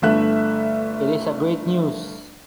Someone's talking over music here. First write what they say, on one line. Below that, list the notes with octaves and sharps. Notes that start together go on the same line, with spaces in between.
It is a great news.
G1 A3 E5 F#6